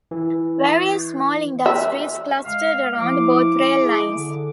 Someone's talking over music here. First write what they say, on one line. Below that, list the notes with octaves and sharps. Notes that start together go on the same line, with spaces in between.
Various small industries clustered around both rail lines.
E3
E5
G#3 F5
F3 E4 D6
G#4
D3